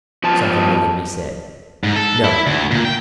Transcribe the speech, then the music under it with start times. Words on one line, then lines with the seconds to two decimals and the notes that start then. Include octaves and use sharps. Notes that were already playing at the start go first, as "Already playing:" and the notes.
Something within me said, "No!"
0.23 F2 F3 B3 A5
1.84 G#2
1.96 A4
2.24 E4
2.47 D2
2.71 A#2
2.85 G5